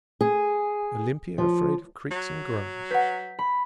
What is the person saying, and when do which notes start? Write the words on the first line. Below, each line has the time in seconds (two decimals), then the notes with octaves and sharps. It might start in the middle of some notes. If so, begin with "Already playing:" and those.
Olympia afraid of creaks and groans?
0.21 G#4
1.38 F3
2.11 F#3
2.91 B4 F#5 G6 B6
3.39 B5